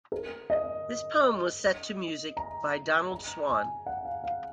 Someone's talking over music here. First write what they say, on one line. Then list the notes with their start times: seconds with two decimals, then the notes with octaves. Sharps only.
This poem was set to music by Donald Swann.
0.12 A#4
0.50 D#5
2.37 A#5
3.12 A#5
3.49 G#5
3.86 F#5
4.05 F5
4.24 F5